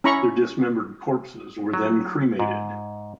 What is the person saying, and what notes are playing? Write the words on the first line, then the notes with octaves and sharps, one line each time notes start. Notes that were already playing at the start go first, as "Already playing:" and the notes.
Their dismembered corpses were then cremated.
C#4 E4 A#5 B5 C#6
F#3
G#2